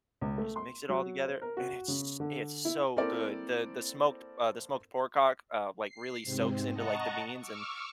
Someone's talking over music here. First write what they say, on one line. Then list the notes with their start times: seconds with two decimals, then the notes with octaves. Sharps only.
You just mix it all together and it's it's so good. The the smoked uh, the smoked pork hock, uh, like, really soaks into, like, the beans, and
0.22 C#2
0.38 A3
0.56 C6
0.89 F#3
1.26 C5
1.42 A#4
1.57 F#4
1.88 C#3
2.20 D3
2.65 E4
2.96 A#3 C4 E4 A4 A#4 D5
5.83 C7
6.24 G#2 C3 C4
6.72 D#5 F#5 A5 A#5 C#6
7.38 C#6 D6 E6 F6